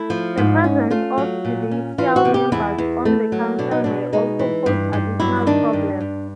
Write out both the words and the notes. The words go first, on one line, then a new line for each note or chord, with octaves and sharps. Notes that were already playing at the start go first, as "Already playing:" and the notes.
The presence of judicial members on the Council may also pose additional problems.
Already playing: A3 E4
F3
G#2
C#4
A3 F4
F#3
A#2
C#4
E3 F4
F#4
C3
G4
E2 E4
E2
A3
F#3
B2 D4
D#4
B2 D4
G#3 D#4
E3
G2
G2
F#3 E4
D#3 D4
G2
G2